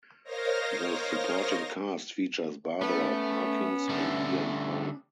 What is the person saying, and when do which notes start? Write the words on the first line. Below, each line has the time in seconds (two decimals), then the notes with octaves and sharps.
The supporting cast features Barbara Parkins and Ian Holm.
0.23 A#4 C5 C#5 D#5 F5 A#6
2.81 A3 B3 C#4
3.89 D3 G3 A3